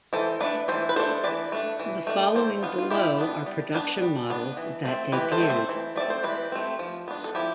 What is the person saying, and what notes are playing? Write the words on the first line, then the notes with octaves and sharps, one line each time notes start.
The following below are production models that debuted.
E3 A4 C5
A3 D4 B4 D5
E3 A4 C5
B4
A3 D4 A4 C5
E3 B4 D5
A3 D4
E3
A3 D4
G3 A4 C5
B3 D4 F4
F4
G3 E4 G4
B3 D4
G3
B3 D4
G3
B3 D4
E3
A3 C4
E3 G4 B4
A4 C5
A3 C4
A4 C5
E3
A3 C4 D5
C5
E3 G4 B4
A3 C4
F3
B3 D4
A4
F3 E4 G4